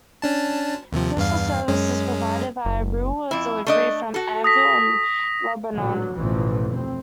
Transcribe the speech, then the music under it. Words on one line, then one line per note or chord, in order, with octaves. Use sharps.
Postal service is provided via rural delivery from Annville and Lebanon.
C#4 D4 A5
D#2 C3 F3
E2 G2 F5
F#2 G#3 C#4
F#1
F2 E4
A3 D4 D#5
F#4 A4
D#6 A#6 B6
A1 A#2 D3 F#3
A1 D2 B2 E3 F3
F1 C4